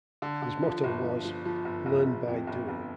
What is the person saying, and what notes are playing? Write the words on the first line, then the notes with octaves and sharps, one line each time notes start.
His motto was "learn by doing".
D3
D3
F3
G1
F3
F3
F3
G1
G1
G1
F2
G1
G1